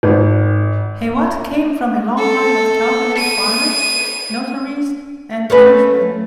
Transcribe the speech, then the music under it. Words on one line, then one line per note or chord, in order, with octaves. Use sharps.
Hewat came from a long line of Calvinist farmers, notaries and churchmen.
G#1
A4
D#7
A3 C#4 B4